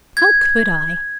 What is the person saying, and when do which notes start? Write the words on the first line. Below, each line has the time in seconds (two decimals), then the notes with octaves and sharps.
How could I?
0.17 G#6